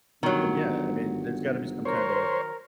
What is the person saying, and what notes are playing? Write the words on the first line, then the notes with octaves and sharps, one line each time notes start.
Then, yeah, I mean, there's gotta be some kinda
G1 D#3 F#3
A#4 C5 C#5